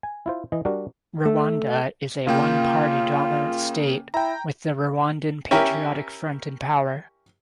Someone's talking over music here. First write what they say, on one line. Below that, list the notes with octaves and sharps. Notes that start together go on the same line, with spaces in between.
Rwanda is a one-party-dominant state with the Rwandan Patriotic Front in power.
G#5
E4 F4 C5
E3 D#5
G3 D4 F#4 A#4
A3
C#3 A#3 F4 G5
E4 G5 A#5
C#4 E4 G4 A#4